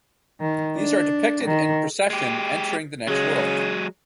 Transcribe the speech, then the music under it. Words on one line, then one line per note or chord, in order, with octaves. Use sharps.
These are depicted in procession entering the next world.
D#3
D4
D#3
G#3 G4
C#3 F#3 G#3